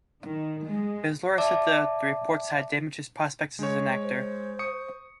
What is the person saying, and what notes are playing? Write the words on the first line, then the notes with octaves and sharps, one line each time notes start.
His lawyer said the reports had "damaged his prospects as an actor".
D#3
G#3
D5 E5 A5 D6
G#3 C#5
C5
C#6 D#6 C#7